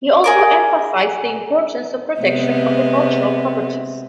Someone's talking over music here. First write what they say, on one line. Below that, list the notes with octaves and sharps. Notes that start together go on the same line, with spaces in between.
He also emphasized the importance of protection of the cultural properties.
G#4 A#4 D6
C3 G#3 B3